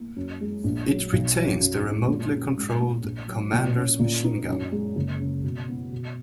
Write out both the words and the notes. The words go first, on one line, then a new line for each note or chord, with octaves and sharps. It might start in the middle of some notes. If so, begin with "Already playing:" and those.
It retains the remotely controlled commander's machine gun.
Already playing: A#3
F#2
G#3
A#1
F#3
B1
F#3
F#2
G#3
A#2
C#4
G#2
A#3
A#1
F#3
A#2
C#4
A#2
D#4
F#2
G#3
F#1
C#3
B2
B3
B2